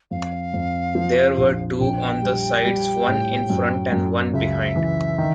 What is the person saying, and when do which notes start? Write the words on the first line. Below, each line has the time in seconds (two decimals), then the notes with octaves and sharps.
There were two on the sides, one in front and one behind.
0.11 F2 F5
0.54 F2
0.95 F3
1.38 A#1
1.80 A#1 G5
2.22 G3
2.65 G3
3.07 A2
3.50 F#2
3.92 F#2
4.34 C#2 E5
4.76 E3
5.18 D#3